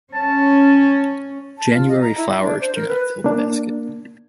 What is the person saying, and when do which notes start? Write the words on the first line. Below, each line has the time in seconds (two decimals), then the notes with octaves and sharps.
January flowers do not fill the basket.
0.14 C#4 A5
1.58 A5
1.72 F4
1.88 D#5
2.01 A#5
2.18 E4
2.30 E5
2.43 D4
2.61 C5
2.75 A#4
2.88 B4
3.24 A#3 D4